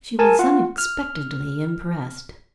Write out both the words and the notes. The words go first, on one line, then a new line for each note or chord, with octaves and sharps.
She was unexpectedly impressed.
A#4 G#5 A5
F4 F#5
F6